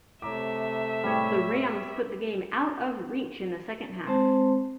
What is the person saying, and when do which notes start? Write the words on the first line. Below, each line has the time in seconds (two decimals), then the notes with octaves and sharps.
The Rams put the game out of reach in the second half.
0.22 C3 A3 C#5 E5 A#5 D6
1.03 A2 G3 G#3 C#5
4.07 G#3 C4 C5 A5